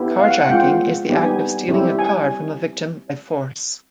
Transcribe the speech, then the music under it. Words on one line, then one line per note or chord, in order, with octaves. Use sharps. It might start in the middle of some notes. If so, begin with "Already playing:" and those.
Carjacking is the act of stealing a car from a victim by force.
Already playing: B3 E4 G4
F5
F#5
F#5
G#3 C4 F4 G5
G3 B3 D#4 G4
G#5
G3 C4 E4 G4
G#5